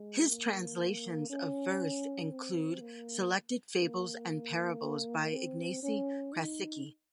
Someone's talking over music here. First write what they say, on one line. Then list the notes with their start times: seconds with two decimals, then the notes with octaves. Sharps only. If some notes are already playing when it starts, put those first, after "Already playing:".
His translations of verse include selected "Fables and Parables" by Ignacy Krasicki.
Already playing: G#3
0.29 A#3
1.30 C#4
2.31 C4
2.81 A#3
3.82 A#3
5.33 C4
5.83 C#4
6.33 D#4